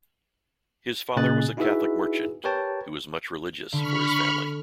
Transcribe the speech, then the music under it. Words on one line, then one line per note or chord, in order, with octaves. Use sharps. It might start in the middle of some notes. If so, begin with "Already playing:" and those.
His father was a Catholic merchant, who was much religious for his family.
A#2 C#3 D#5 G#5 F#6 A6
D#4 E4 F#4 G#4 B4 E5
G4 A#4 B4 C#5 G5 A5
D3 B5 C#6 F6